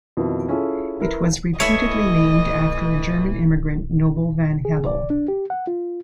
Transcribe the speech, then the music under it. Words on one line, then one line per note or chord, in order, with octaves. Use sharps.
It was reputedly named after a German immigrant Noble Van Hebel.
F2 B2 D#3 E3 E4
C#4 E4 F4 G#4 A4
E4 A#4 B4
E3 A3 E4 A4 C#5 D#5 E5
G#4
D5
D4
G4
F#5
F4